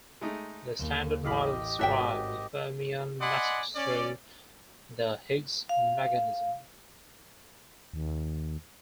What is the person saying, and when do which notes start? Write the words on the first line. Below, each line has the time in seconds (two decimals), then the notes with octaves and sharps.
The Standard Model describes fermion masses through the Higgs mechanism.
0.21 G#3 A3 D#4
0.78 D#2
1.24 A1 A2 G4 D#5 F5 B5
1.79 G#1 C#4 F#4 A4 E5 G5
3.21 D5 D#5 F#5 G#5 B5 C6
3.75 C#4 D5
5.69 F5
7.94 D#2